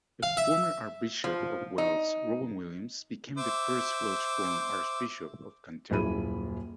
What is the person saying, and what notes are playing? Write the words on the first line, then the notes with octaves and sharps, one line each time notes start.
A former Archbishop of Wales, Rowan Williams, became the first Welsh-born Archbishop of Canterbury.
F5
E5
F3
D#4
C5 E5 D6
D#1 F#2 E4 G#4 B5 D#7